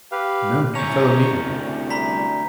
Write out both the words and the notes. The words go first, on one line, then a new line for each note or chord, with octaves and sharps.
"No, the fellow needn't."
G4 B4 F5
C2 C#4 C#5 A#5 G6 F7
D2
A#5 B5 B6